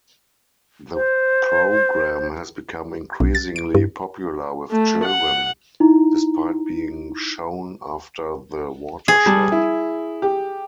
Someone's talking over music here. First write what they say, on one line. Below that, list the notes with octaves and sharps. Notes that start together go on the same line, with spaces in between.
The programme has become increasingly popular with children, despite being shown after the watershed.
C5
B1
A6
D7
G2
A3
F#5
D#4 E4 A#5
G#4
G3 A5
E4
G4